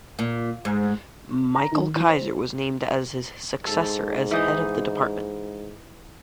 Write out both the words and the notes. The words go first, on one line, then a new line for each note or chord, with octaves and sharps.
Michael Keiser was named as his successor as head of the department.
A#2
G#2
A#5
D#3
E3
C5
G#2 A4
E3 D#4 D#5